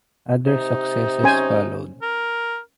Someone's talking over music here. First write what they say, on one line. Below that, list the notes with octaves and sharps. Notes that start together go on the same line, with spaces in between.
Other successes followed.
C3 D#4
C#4 C5 G#5
A#4